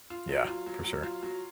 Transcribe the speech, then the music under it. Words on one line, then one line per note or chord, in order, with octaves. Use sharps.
Yeah. For sure.
F4
F#3
F4
F#3
F#3
F4
F#3